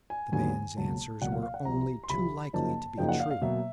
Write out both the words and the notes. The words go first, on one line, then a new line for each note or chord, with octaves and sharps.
The man's answers were only too likely to be true.
G#5
D#2 D3 F#3 B3 G#5
C#2 B2 F#3 A#3 A5
C#2 B2 F#3 A#3 F#5
F5
F5
F#5
C2 C3 F3 A#5
C6
C2 C3 F3 B5
F#2 C#3 F3 A#3 D#4 A5
F#2 C#3 F3 A#3 D#4 G5
F#5
F5
F5
B2 F#3 A#3 E5